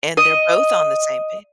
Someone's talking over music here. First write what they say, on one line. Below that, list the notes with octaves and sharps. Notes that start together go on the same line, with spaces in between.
and they're both on the same pa
D#5